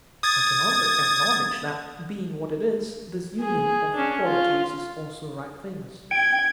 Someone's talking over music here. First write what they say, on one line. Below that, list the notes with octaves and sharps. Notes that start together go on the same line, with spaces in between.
'I cannot but acknowledge that, being what it is, this union of qualities is also right famous.'
D#6 G#6 A6
G#4
C#4 D4
F4
G5 G#6